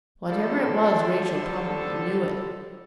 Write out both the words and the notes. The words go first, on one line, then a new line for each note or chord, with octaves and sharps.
Whatever it was Rachel probably knew it.
D3 F3 G3 A4